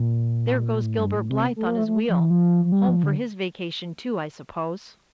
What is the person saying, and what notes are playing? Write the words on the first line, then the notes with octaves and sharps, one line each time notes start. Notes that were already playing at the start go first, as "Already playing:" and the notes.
There goes Gilbert Blythe on his wheel . . . home for his vacation too, I suppose.
Already playing: A#2
A2
G2
A2
C3
A3
A#3
A3
A3
F3
E3
F3
F3
G3
F3
D3